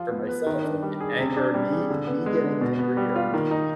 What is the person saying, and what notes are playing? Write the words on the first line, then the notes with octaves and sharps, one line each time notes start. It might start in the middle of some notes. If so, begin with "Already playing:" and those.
for myself, like, a anger me eh me getting angry, or me
Already playing: F3 F4
B3
B4
D#3
D4
G3
G#4
C3
D4
G3
G#4
D3
B3
G#3
D3
B2
B3
G3
F4
D#3
D#4